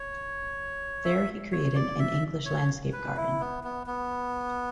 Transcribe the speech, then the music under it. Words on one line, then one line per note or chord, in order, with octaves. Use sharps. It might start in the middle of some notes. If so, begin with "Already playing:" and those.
There he created an English landscape garden.
Already playing: C#5
E5
C#5
D5
E5
C#5
B4
E4
B3
B3
B3